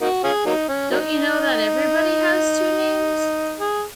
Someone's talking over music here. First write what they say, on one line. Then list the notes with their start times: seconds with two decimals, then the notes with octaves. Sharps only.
Don't you know that everybody has two names?
0.01 A#3 D#4 F#4
0.24 C#4 F4 G#4
0.46 F#3 A#3 D#4
0.68 C#4
0.91 F#3 A#3 D#4
3.59 G#4